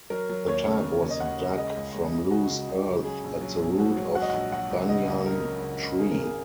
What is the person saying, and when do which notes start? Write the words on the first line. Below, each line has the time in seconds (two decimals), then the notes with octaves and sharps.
The type was dug from loose earth at the root of a banyan tree.
0.10 F#3 A#4
0.29 F#3
0.47 D#2 C#5
0.65 C#3
0.84 D#2
1.02 D#2
1.10 D#5
1.20 D#2 F#5
1.39 C#3
1.58 G#3 D#5
1.77 C#2
1.95 G#3
2.13 C#2
2.31 C#3 F#4
2.50 C#2
2.68 C#2
2.86 C#3
3.05 F#3 G#4
3.24 A#1
3.41 F#3
3.60 A#1
3.78 G#2 F#4
3.96 F#3
4.15 F#3 F#5
4.22 D#5
4.30 A#1 F#5
4.52 F#3 F#5
4.70 C#2
4.88 C#3 D#5
5.08 C#2
5.25 C#3 A#4
5.44 F#3
5.62 C#2
5.81 C#3
5.99 G#1 G#4
6.11 A#4
6.17 G#1
6.24 G#4